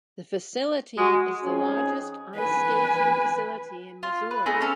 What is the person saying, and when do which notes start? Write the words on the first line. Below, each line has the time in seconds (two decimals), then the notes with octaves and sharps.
The facility is the largest ice skating facility in Missouri.
0.98 G#3 F#4
1.44 F2 C#4 D#4 G#4
2.36 B4 G#5
4.03 F4
4.31 B4
4.46 A3 B3 D#4 G#4
4.61 C#4 A4 F5 E6